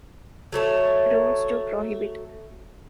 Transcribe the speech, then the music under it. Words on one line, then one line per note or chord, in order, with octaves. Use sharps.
Rules To Prohibit.
F#3 A3 C#5 A5